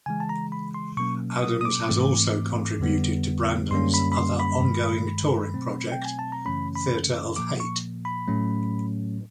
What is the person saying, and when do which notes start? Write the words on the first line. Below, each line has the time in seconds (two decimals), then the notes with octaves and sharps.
Adams has also contributed to Brandon's other ongoing touring project, Theatre of Hate.
0.06 C#3 E3 G#3 G#5
0.20 A5
0.29 A#5
0.52 B5
0.74 C6
0.97 B2 F#3 A#3 C#4 C#6
1.42 D#6
1.61 D#6
1.65 D6
1.89 G#2 E3 A3 C4
2.80 F2 D3 G3 B3
3.71 F#2 D3 G3 A#3 C#4 C6
3.94 B5
4.12 B5
4.17 C6
4.40 B5
4.62 G2 D#3 G#3
5.54 B2 F#3 A3 C4
5.92 G5
6.05 G#5
6.19 A5
6.32 A#5
6.46 F#2 C#3 E3 A3 C#4 B5
6.75 B5
7.36 A#2 F3 A#3 D6
7.60 C#6
8.05 B5
8.28 A2 F#3 A3 C#4